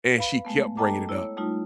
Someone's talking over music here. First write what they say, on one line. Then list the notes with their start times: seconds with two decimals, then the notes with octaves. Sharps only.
and she kept bringing it up.
0.16 B4 F5 B5
0.45 G#3 A3 B3
0.77 A4 D#5 G5 A5 A#5 D6
1.09 E4 C#5
1.37 G3 A3 D#4 F4